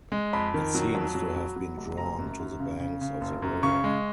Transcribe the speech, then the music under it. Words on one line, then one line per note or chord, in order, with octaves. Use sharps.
It seems to have been drawn to the banks of the river.
G#3
F2 B5
D#3
F#3
F2
F#3
F#3
F#3
F1
F#1 A#5
F#2
F#2
C#3
C#3
C#3
F#1
F#2
C#3 C#6
G#3